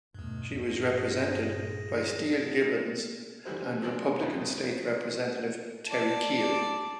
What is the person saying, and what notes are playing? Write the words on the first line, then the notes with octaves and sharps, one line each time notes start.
She was represented by Steve Gibbins and Republican state representative Terry Keel.
G1 E2 G2 B2 A3
A#1 G2 D3 G#4 A#6
D3 E3 G3 F#4 C5
F3 G#3 C4 D4 F#4
G#1 F2 C#3 A4 B4 G5
D5 A5